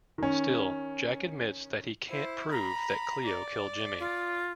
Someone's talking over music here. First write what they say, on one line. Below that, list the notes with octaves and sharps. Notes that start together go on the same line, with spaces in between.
Still, Jack admits that he can't prove that Cleo killed Jimmy.
D#3 C#4
E4 C5
A#5 B5
D5
F4